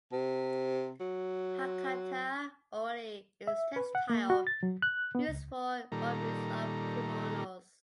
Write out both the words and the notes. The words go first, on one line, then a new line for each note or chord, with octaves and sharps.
Hakata ori is a textile used for obis of kimonos.
C3
F#3
E5
B4
F#5
A#3
F#4
A6
F#3
F#6
B3
C#2
A#2 D#3 G3 A4 A#5